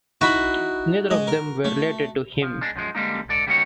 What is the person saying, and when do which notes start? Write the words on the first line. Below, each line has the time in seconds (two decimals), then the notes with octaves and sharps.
Neither of them were related to him.
0.21 D#4 E4 F#4 B5
1.11 G#3 D#5
1.27 A#4
1.65 A3
2.41 F3
2.61 G#3 D4
2.76 F#2 F3 G#3
2.95 D3 G3 G#3 A#3 D#4
3.29 G#2 A4 D5
3.47 C#3 G3 A#3 B3 D#4 C#5